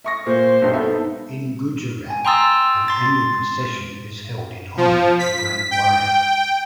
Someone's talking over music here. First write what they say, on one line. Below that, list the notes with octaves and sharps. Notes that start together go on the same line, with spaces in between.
In Gujarat, an annual procession is held in honor of the great warrior.
E5 C#6 A#6
A#2 C5
B1 G2
B3 A4 E5
D#4
G#5
G5 A#5 C6 D#6 E6 A6
C6 A6
F3
B6
G5